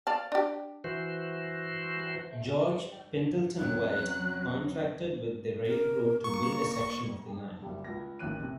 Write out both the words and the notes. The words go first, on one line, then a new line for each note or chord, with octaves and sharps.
George Pendleton White contracted with the railroad to build a section of the line.
D5 F5 A5
D4 G4
E3 F#4 C5
E2 C3 F#3 C#4 F#6
A#4
A#3 C#6
F#1 G3
C#2 A#6
A1 D#2 C#4 F#6 D#7
C3